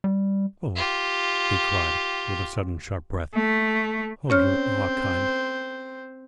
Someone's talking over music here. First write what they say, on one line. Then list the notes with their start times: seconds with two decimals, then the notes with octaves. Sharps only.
Oh," he cried, with a sudden sharp breath, "oh, you ARE kind.
0.04 G3
0.76 F4 G4
3.34 A3
4.30 C4 C#4 C5 C#5 F6